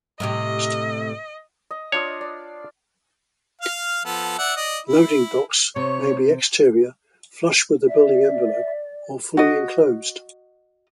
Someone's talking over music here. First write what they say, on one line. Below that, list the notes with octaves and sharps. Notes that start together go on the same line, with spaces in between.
Loading docks may be exterior, flush with the building envelope, or fully enclosed.
A2 C3 G4 D#5
D#5
D4 F4 C#5 D#5
D5
F5 F6
F3 B3 A4
D5 E5 F#5
D5 D#5
E4
C3 C#5
D5 E5
F#4 D#5